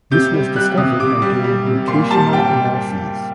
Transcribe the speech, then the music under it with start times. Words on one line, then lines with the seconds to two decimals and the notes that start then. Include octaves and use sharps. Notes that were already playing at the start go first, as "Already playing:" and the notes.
This was discovered by doing mutational analyses.
0.11 C3 G6
0.34 G3
0.56 G3 F#6
0.77 C3 D#6
1.00 C3 D6
1.22 G3
1.44 G3
1.66 C3
1.88 A#2 C6
2.11 G3 A5
2.33 G3 G5